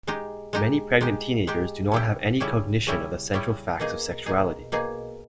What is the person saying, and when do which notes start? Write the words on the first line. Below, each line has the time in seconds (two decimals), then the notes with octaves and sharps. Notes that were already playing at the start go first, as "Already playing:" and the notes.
Many pregnant teenagers do not have any cognition of the central facts of sexuality.
0.07 G#3 D#4 G4
0.53 G#3 D#4 G4
1.01 G#3 D#4 G4
1.47 G#3 D#4 G4
1.92 C#3 G3 C#4 E4 G4
2.40 C#3 G3 C#4 E4 G4
2.87 C#3 G3 C#4 E4 G4
3.33 C#3 G3 C#4 E4 G4
3.80 B2 A#3 D#4 G#4
4.26 B2 A#3 D#4 G#4
4.72 B2 A#3 D#4 G#4